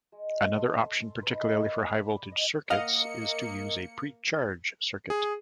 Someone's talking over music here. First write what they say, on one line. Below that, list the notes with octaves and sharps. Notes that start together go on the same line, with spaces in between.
Another option, particularly for high voltage circuits, is to use a pre-charge circuit.
G#3
A4 C6
D#4 B4
A#3 C#5 D5 E6
B5 D6
D#5
A#3 D#5 F5 F#5 C#7
G#4